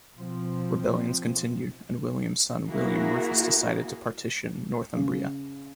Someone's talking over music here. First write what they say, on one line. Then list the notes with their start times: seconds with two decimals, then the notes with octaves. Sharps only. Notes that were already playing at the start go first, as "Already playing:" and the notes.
Rebellions continued, and William's son William Rufus decided to partition Northumbria.
0.16 B2 F3 C4
2.69 A#3 E4 F#4 G#4 A#4
4.96 C#3